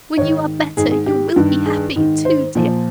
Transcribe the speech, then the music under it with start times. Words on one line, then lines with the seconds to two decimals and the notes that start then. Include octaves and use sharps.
When you are better, you will be happy, too, dear.
0.18 G#2 D#3 C#5
0.77 G#2 D#3 G#4
0.91 G#4
1.06 G4
1.36 G2 D#3
1.66 G#4
1.96 G#2 D#3
2.25 C5
2.55 A#2 F3